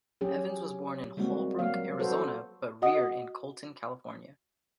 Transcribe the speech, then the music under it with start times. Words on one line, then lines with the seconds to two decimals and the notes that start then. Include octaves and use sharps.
Evans was born in Holbrook, Arizona, but reared in Colton, California.
0.21 F#3 C#4 G4 G#4
1.17 G3 G#3 A#3 C4 F#4
1.59 F#3 A#3 F5
1.99 F#4 A4 B4 C5
2.82 F#4 D#5 F#5 D#6